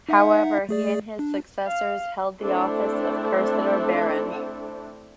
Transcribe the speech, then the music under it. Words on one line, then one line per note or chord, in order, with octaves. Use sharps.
However, he and his successors held the office of Cursitor Baron.
D#4 E5 F#5
A3 G#4 D5
D4
F5
A3 C4 D4 E4 A4